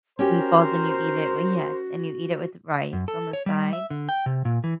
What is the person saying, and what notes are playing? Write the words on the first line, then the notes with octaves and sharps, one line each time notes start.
meatballs, and you eat it well, yes, and you eat it with rice on the side.
C#4 F#4 G4 A#4 C5
F#2
A4
C#5
G3
E5
D3
G5
C3
A#2
E3